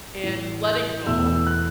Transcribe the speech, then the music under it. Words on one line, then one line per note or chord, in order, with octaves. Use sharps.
and letting go
A2 E3 G3
G6
E2 B2 A3 E4 E6
E6
F#6